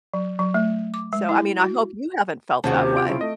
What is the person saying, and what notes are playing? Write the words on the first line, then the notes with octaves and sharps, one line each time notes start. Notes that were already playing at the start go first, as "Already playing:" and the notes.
So, I mean, I hope you haven't felt that way.
F#3
F#3
A3
D6
G#3
E4
F#4
D#2 C3 F3 C#4 F#4 G#4 A5
G4
F4 D7
C#3 C4 E4 F4
A3 D#5